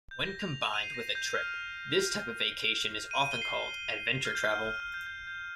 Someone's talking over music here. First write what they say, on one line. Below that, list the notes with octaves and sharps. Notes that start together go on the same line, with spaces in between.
When combined with a trip, this type of vacation is often called adventure travel.
G6
A#6
F7
F7
D#7
C7
A#6
G6
F6
D#7
D#7
G7
C7
F6
G6
F6
F6
F6
F6
G6
G6
G6